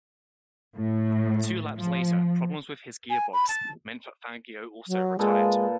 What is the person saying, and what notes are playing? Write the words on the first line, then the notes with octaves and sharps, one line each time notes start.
Two laps later, problems with his gearbox meant that Fangio also retired.
A2
F3
G#5
B5
A5
F#3
A#2 G#3 A4 B4